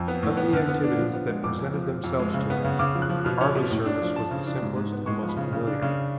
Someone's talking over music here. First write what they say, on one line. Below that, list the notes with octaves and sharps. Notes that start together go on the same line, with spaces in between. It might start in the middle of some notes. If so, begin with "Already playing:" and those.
Of the activities that presented themselves to him, army service was the simplest and most familiar.
Already playing: F2
B3
A2
B3
D3 F6
B3
D4
F3
B3
G#3
F2 D6
F2
F3
F3
F2
G#3
C#3
B3
C#3
C#3 D6
F3
F#6
F3
B2 F6
C#4
B2
A2
D4
F3
F3 A5
C#3
D4
G#2
G#2
B3
G#3 C#6
F3
B5
C#3
C#3
D4
C#3